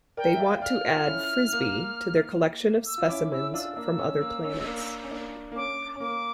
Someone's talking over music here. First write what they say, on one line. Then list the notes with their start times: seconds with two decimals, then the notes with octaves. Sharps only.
They want to add Frisby to their collection of specimens from other planets.
0.17 A#4 D5 G5
0.35 E5
0.40 D5 F5
0.51 G5
0.62 D5 F5 F6
0.85 F4 A4
1.07 C#4 E4
1.53 A#3
2.86 E6
2.98 F4
3.08 C#4 E4 D6
3.32 C#4 E4 E6
3.54 D4 F4 E6
3.76 A#3 D4 E6
3.99 C#4
4.21 A#3
4.44 C#4
4.65 A#3 D4
5.03 C#4
5.10 A#3 D4
5.52 A#3
5.56 C#4 D6
5.96 C#4
6.00 A#3 D6